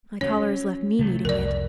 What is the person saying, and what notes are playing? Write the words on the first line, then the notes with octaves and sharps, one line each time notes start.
My caller has left me needing it.
F#3 C#4 C#5
C3 F#3 A3
C2 F2 A#4 D5